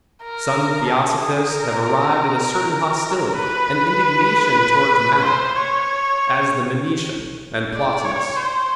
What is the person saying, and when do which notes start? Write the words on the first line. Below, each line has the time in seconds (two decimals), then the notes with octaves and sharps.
Some theosophists have arrived at a certain hostility and indignation towards matter, as the Manichean and Plotinus.
0.24 A#4
0.86 A4
1.17 G#4
1.49 A#4
3.36 B4
5.24 C5
5.56 C#5
7.75 D5
8.05 C#5
8.36 C5